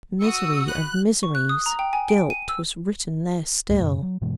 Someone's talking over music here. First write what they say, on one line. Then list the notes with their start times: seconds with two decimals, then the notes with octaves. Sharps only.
Misery of miseries!--guilt was written there still.
0.20 F#4 D#6 E6 C#7
0.68 B5 F#6
1.23 C#6
1.35 F#6
1.49 D#6
1.66 A#5
1.79 G5
1.93 G#5
2.09 D7
2.30 D#7
2.49 E6
3.69 C#2 G#2 A3
3.80 F#2 B2
4.02 F#3
4.21 G2 B2 E3 G#3